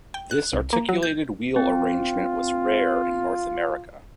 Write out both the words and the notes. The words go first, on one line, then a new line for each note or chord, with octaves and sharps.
This articulated wheel arrangement was rare in North America.
G5
F#6
C2
A#3
F#3
G6
C4 F4